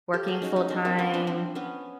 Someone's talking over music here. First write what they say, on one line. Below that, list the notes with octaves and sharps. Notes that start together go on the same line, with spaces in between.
working full time
G4 A4
F#4 G#4
C#4 D#4
C#4 D#4
C4 D4
A#3 C4
B3 C#4
C4 D4
C4 D4
B3 C#4